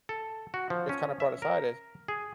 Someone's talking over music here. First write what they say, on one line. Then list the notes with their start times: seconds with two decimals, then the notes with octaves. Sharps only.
it's kinda brought aside is
0.09 A4
0.54 F#4
0.70 F3
0.89 C#4
1.20 E5
1.42 A#4
2.08 G#4